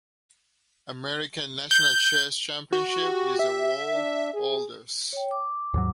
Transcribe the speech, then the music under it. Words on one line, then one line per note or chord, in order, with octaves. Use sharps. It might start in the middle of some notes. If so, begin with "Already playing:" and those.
America's national chess championship is the world's oldest.
G6
F#4
G4
E5
D4
G#4
C#5 G5
D6
D#2 G#2 F#3